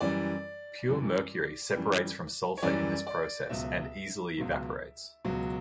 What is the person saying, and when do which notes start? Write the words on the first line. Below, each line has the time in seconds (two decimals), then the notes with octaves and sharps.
Pure mercury separates from sulfur in this process and easily evaporates.
0.01 F#2 E3 G3 D5
0.89 F#2 E3 G3
1.75 F#2 E3 G3
2.58 C#5
2.62 F#2 E3 G3 D5
3.07 D5
3.49 C#2 B2 F#3 E5
4.38 C#2 B2 F#3
5.25 C#2 B2 F#3